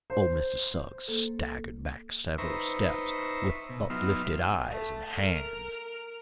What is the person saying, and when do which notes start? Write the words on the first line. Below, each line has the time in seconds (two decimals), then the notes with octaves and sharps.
Old Mr. Suggs staggered back several steps, with uplifted eyes and hands!
0.10 C5
1.08 A#3 A4
2.38 D#4 B4 C5 E5 A#5 C#6
3.69 B2
3.90 F#3 B3 D#4 E5 C6 F6
4.69 A3
5.16 A#4